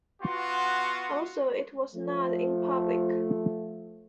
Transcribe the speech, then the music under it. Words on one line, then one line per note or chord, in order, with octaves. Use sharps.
Also, it was not in public.
B3 F4 F#4
F3 A3